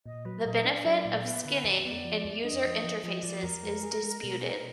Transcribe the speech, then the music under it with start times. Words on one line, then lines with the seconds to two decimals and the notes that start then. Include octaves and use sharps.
The benefit of skinning in user interfaces is disputed.
0.06 A#2 D#5
0.25 F#3 B4
0.45 A#2 D#5
0.65 D4 D5
0.85 F#3
1.05 A#2
1.25 B3 B4
1.45 D3 B4
1.64 F2 D5
1.85 B3 D5
2.04 F3
2.25 F2
2.44 D4 D#5
2.65 F3
2.84 F3
3.04 F3 D#5
3.23 F3 D5
3.43 F2 A#4
3.63 G#3
3.83 G#4
4.03 G#3
4.23 B2
4.42 G#4